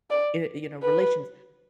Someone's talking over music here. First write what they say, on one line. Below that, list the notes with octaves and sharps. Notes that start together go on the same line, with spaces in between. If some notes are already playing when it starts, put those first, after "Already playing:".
eh, you know, "relations,"
D5
B4